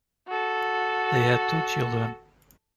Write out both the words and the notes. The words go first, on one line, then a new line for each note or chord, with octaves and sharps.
They have two children.
F#4 A4